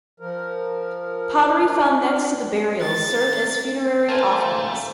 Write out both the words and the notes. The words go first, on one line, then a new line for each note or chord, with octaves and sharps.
Pottery found next to the burials served as funerary offerings.
F3 A#4
D4 C#5
A6
A3 F4 A#4 C5 G#5 A5